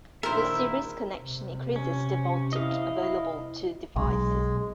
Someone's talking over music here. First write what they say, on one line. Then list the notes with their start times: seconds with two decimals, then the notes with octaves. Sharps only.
The series connection increases the voltage available to devices.
0.23 A#1 D#3 E4 A#4 C5 E5
1.18 C3
1.76 C#4
2.53 E4 D#5 F5
3.96 B1 G#3